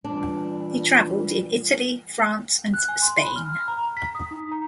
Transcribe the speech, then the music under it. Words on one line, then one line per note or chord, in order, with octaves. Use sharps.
He travelled in Italy, France and Spain.
A#2 E3 G3 D4
F#6
G#5
C6
B5
F6
A#5
B6
D#6
D#4
A#5